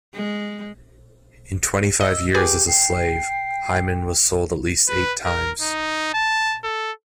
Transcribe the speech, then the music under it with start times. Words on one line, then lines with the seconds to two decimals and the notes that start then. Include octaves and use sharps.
In twenty-five years as a slave, Hyman was sold at least eight times.
0.15 G#3
2.01 D#5 E6
2.35 G4 G#4 B4 G#5 D6
2.67 G5 C7
4.88 B4
5.25 A#4
5.61 D#4
6.14 A5
6.64 A4